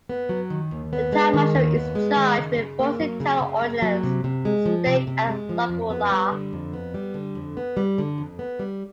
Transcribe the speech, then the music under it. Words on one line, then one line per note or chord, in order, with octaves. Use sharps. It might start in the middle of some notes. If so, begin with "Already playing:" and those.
The town marshal is charged with enforcing town ordinance, state and local law.
B3
F#3
D#3
D#2
B3
G#3
D#3
D#2
B3
G#3
D#3
C#3
C#3
A#3
F#3
C#3
C#3
A#3
F#3
C3
C3
G#3
F3
C3
C3
G#3
F3
F2
B3
G3
D3
F2
B3
G3
D3
F2
B3
G3
D3
F2
B3
G3